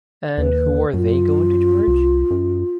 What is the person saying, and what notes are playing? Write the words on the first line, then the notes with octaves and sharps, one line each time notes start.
And who are they going to charge?
D#2 B4
F#2 F4
C2
F#2